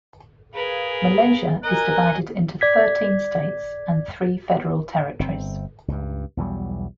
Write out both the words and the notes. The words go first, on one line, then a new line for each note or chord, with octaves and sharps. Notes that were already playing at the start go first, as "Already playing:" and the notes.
Malaysia is divided into thirteen states and three Federal Territories.
G#4 A#4 B4 F5
A#4 D#5 G#5 A#5 F#6
D5 G#6 B6
G1 C4
C#2 G2
B1 E2 F#3 G3